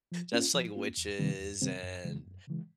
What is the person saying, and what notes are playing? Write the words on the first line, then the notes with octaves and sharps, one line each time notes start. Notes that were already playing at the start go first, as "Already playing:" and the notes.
just like witches and
F3
A#3 C#4 F4
F3
A#3 C#4 F4
E2
C3 D#3 G3 C4
E2
C3 D#3 G3 C4
F#2
C#3 E3 G#3
F#2
C#3 E3 G#3